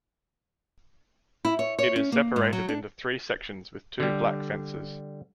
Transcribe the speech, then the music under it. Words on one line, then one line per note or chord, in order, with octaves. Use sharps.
It is separated into three sections with two black fences.
E4
C#5
C#5
C#4
A#3
G#2
F#3
D4
D3 G3